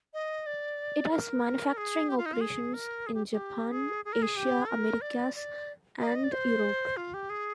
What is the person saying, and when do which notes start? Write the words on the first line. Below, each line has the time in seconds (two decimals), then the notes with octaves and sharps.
It has manufacturing operations in Japan, Asia, Americas and Europe.
0.14 D#5
0.46 D5
1.11 A#4
1.77 G#4
2.09 G4
2.18 F4
2.26 D#4
2.33 F4
2.41 G#4
2.74 A#4
3.07 G#4
3.14 G4
3.32 G4
3.71 G#4
4.05 G#4
4.13 A#4
4.22 G#4
4.37 G4
4.69 A#4
5.01 D5
5.35 D5
6.00 D#5
6.07 D5
6.15 D#5
6.24 D5
6.32 C5
6.97 F4
7.14 G4
7.30 G#4